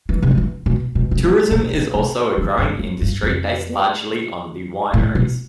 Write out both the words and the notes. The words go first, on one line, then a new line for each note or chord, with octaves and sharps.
Tourism is also a growing industry based largely on the wineries.
E3
C3
D3
E3
B2
B2
C3
D3
B2
B2
C3
D3
G2
G2
G2
F2
A2
B2